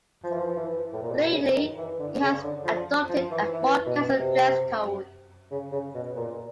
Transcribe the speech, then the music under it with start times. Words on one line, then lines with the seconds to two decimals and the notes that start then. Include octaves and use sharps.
Lately, he has adopted a more casual dress code.
0.24 F3
0.32 E3
0.40 F3
0.56 E3
0.93 A2
1.02 A#2
1.11 B2
1.33 C#3
1.51 E3
1.55 D#3
1.77 E3
1.99 D3
2.22 C#3
2.43 D3
2.64 F3
3.09 F3
3.31 E3
3.53 E3
3.86 B2
4.19 C3
5.51 C#3
5.72 C#3
5.94 B2
6.16 A#2